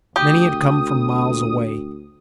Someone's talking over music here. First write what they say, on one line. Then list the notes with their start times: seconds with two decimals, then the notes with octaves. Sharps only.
Many had come from miles away.
0.16 D2 G4 D#6